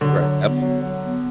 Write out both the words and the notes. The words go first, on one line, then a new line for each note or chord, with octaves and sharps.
Right, absolutely.
D3 F#3
F#3
B3
F#3
F#3
B3